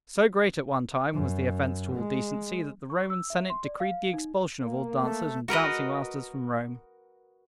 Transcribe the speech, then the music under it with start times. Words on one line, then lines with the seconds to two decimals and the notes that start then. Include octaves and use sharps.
So great at one time was the offence to all decency, that the Roman Senate decreed the expulsion of all dancers and dancing-masters from Rome.
1.14 F#2
1.95 G#3
2.90 C#6
3.10 E6
3.30 E5
3.50 C6
3.64 D5
3.80 F5
4.13 D#4
4.63 A#3
5.01 A3
5.48 F#4 A#4 B4 D#5